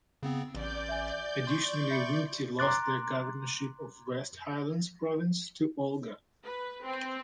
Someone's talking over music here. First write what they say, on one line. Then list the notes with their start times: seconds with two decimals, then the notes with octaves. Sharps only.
Additionally, Wingti lost the governorship of West Highlands Province to Olga.
0.23 C#3 B3 C4
0.55 A1 D5 G6
0.89 E5 G#5
1.47 C6 C#6
1.91 E5 B5 C#7
2.59 A#5 C6 D6 F#6 A6
6.44 B4
6.84 C4